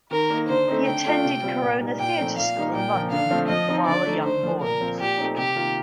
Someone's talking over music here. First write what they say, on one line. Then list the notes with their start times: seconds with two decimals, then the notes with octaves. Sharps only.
He attended Corona Theatre School in London while a young boy.
0.11 D#3 A#4
0.30 A#3 D#4
0.49 D3 C5
0.68 A3 C4 D#4
0.86 D3 G5
1.05 A3 D4 F4
1.25 C3
1.43 G3 C4 F4
1.61 A#2
1.80 G3 A#3 D#4
1.99 A#2 G5
2.18 F3 A3 C4 D#4
2.37 A#2 F5
2.56 G3 A#3 D#4
2.74 A#2 G5
2.93 F3 A#3
3.12 D3 F5
3.31 F3 A3 C4 F4
3.49 F3 D#5
3.68 C4 D#4
3.87 D3 D5
4.06 A3 D#4
4.24 D3 C5
4.43 F3 A3 D4
4.62 A#2 A#4
4.80 F3 C4 F4
5.00 A#2 G4
5.18 A3 C4 D#4
5.37 C3 G4
5.55 D#3 A#3 F4